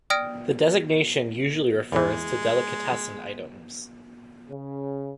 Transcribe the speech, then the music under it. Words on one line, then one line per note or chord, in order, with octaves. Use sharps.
The designation usually refers to delicatessen items.
D5 G5 D#6 F6 A#6 D7
E2 E3 G#3
C#3